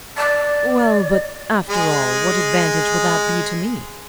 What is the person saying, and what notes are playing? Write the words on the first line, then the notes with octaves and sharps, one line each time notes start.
"Well, but, after all, what advantage will that be to me?"
D5
G#3 G#4